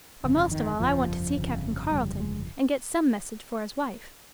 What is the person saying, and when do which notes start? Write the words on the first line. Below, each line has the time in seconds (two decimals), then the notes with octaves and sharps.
But most of all I want to see Captain Carleton, and get some message for his wife.
0.24 G1 F2 C#3
0.51 D#3
0.79 G1 F2 C#3 F3
1.36 G1 F2 C#3
1.91 G1 F2 C#3 G3
2.20 G#3